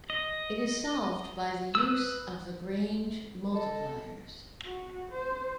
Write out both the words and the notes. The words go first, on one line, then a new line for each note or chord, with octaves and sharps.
It is solved by the use of Lagrange multipliers.
D#5
B4 D#6 E6
G#3
A4 D#5
F#4
C5